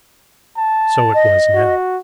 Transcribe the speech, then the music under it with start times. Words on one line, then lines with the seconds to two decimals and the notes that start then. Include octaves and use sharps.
So it was now.
0.58 A5
1.14 D#5
1.55 F#4